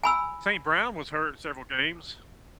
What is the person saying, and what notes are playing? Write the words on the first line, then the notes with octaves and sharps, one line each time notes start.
St. Brown was hurt in several games.
G#5 B5 E6